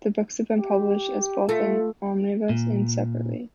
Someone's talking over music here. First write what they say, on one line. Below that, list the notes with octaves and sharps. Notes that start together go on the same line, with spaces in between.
The books have been published as both an omnibus and separately.
G4
A3 F4
A#2